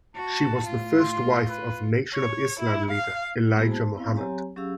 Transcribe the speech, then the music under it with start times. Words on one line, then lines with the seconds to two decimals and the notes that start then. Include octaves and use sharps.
She was the first wife of Nation of Islam leader Elijah Muhammad.
0.16 F#4 A5
0.64 A2 F4
0.99 C6
1.49 B4
2.14 C#5
2.59 E4
2.91 F5
3.55 G#3 A#3 B3 E4 F#4 G#4
3.68 C5 A5
3.95 B3 C4 E4 F5
4.16 F#3 C4 G4 C#5 G#5 A#5
4.56 F#3 C#4 G4 G#4 F5 E6